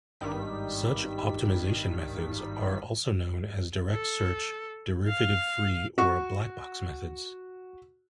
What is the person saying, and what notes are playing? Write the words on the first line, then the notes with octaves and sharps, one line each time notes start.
Such optimization methods are also known as direct-search, derivative-free, or black-box methods.
G#1 G2 D#3 G3 B6
A4
F5
F#4 C#6